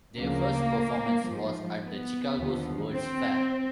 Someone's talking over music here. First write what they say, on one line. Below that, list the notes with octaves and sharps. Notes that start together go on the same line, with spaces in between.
Their first performance was at the Chicago's World's Fair.
D2 C#3 F3 A#3
G#2 F3
B3
D#2 D3 F3
C4